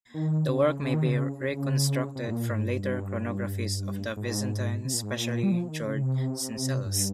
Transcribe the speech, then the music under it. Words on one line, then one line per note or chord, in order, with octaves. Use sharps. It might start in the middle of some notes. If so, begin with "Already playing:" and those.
The work may be reconstructed from later chronographists of the Byzantine, especially George Syncellus.
D#3
C#3
C#3
D#3
C#3
C#3
C3
G#2
A#2
G#2
G2
G2
G#2
C3
A#2
G#2
A#2
G3
F3
D#3
C#3
C#3
C3
G2